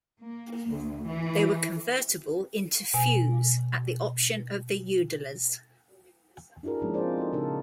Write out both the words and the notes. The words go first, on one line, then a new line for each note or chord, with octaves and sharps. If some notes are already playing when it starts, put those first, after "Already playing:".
They were convertible into feus at the option of the udallers.
A#3
D2
E3
B2 G#5
D4 E4 F#4 G#4 A#4
F3 G#3 A#3 C#4 D#4
C4 F4 G#4 A#4 C5 D5
D#4 F#4 A4
A#2 C#3 D4 D#4 A4 A#4